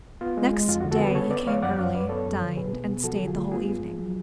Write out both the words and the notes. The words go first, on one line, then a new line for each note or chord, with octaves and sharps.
Next day he came early, dined, and stayed the whole evening.
B3 F4
G#3
G#3
F2 F4
F#4
D3
F#4 A4
B3 G#4 B4
C#3 A4 C#5
B3 B4 D5
D5
F3 C#5 F5
F#2 D5 F#5
F#2 C#5 F5
F#2 B4 D5
B3 A4 C#5
F#2
D3
B2 G#4 B4
B3
B2
F3 F#4 A4
D3
F4 G#4
A3
B3 F4 G#4
G#2
F3
F#3